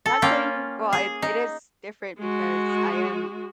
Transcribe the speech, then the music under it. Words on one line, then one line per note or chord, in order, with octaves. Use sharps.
not saying well, it it is different because I am
A4
A#3 C#4 F4 G5
G#4
D#4
G#3 F#4